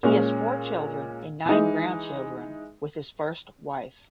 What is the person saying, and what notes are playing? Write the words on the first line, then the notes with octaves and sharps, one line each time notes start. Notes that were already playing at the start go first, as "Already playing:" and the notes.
He has four children and nine grandchildren with his first wife.
A#2 G#3 C#4
E3 G#3 D#4